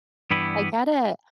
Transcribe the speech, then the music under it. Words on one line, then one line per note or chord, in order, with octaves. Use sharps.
I get it.
G2 E3 G3 B3 E4